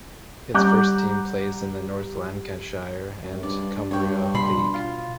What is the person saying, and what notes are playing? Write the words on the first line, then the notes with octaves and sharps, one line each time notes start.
Its first team plays in the North Lancashire and Cumbria league.
G3 F#5 A#5 D6 F#6 G6
F#2
G2 D5
G2 C#5 G5
B2 B5 C6
F4